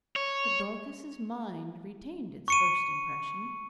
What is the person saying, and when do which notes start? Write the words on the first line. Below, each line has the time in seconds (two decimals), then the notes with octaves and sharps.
But Dorcas's mind retained its first impression.
0.16 C#5
2.48 C#6 C#7 D#7